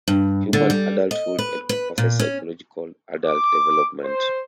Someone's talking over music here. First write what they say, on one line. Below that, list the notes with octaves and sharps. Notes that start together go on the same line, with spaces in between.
Human adulthood encompasses psychological adult development.
G2
D3
G3
D#5
B4
B4
A#2
C#4
D6
C5